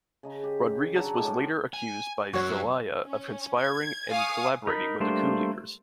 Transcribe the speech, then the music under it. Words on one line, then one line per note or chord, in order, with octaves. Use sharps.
Rodriguez was later accused by Zelaya of conspiring and collaborating with the coup leaders.
C#3 D#5 A#5
G4
F#3 D4 F#4 G#4
A2 G#3 C#6 D6
C6
G#5
F#2 F#3 F#4 C#5
C#4
G#6
F5 G#5 C#6 D#6
D#4 A#4 B5
G3 A3 A#3 D4 C5